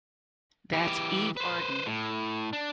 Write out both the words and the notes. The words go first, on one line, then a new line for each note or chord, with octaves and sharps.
That's Eve Arden.
E3 G4
B4 C5
A2
D4